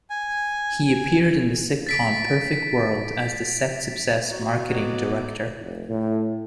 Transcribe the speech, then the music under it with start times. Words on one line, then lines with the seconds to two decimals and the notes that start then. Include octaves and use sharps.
He appeared in the sitcom "Perfect World" as the sex-obsessed marketing director.
0.10 G#5
1.87 A6 B6 D7
4.29 D#4 F#4
4.69 F#3 B3 D5 D#5
5.60 F1
5.89 A2